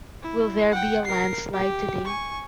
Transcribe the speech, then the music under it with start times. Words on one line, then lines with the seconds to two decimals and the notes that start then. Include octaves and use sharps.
Will there be a landslide today?
0.22 E4
0.72 F#5 G5
1.05 A#4 C7
1.53 G4
2.05 G#5 C#6